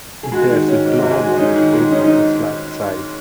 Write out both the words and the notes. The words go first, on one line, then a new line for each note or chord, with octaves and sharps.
There's a Glob on a dig on the slack side.
G#4
G#3 F#4
D#3
C#4
G#2
G#2 F#4
G#4
G#3 F#4
C#4 D#4
D#3
G#3
C#4 D#4
D#4